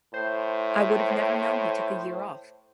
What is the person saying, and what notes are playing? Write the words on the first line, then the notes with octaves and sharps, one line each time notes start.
I would have never known he took a year off.
A2 C5